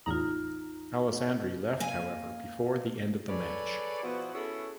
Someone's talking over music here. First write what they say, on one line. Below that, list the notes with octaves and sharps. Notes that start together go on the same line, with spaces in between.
Alessandri left however before the end of the match.
A1 E2 D#4 F4 A#5
A#3 G#5
G#4 A4 B4 C#5 D5
B2 F3 B3 E4 F#4
B3 C#4 E4 F#4 G#4 A4